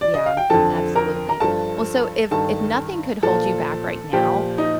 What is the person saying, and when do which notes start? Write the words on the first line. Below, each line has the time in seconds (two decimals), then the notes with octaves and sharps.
Yeah, absolutely. Well, so if if nothing could hold you back right now
0.01 D5
0.14 D#5
0.26 F5
0.37 G5
0.50 F2 D3 F3 A4 A5
0.95 A#4 A#5
1.29 A#5
1.40 G2 F3 A4 A5
2.31 G2 D#3 A4 A5
3.23 A#2 F3 A4 A5
4.13 A#2 F3 G4 G5
4.58 D#4 D#5